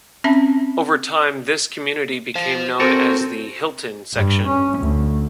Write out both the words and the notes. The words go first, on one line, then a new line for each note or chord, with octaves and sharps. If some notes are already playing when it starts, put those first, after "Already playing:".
Over time, this community became known as the Hilton section.
C4 C#4 E5 A5 B5
C5 F5
C4 F#4 A4 A#4 C5 G#5
G2
C#4
D2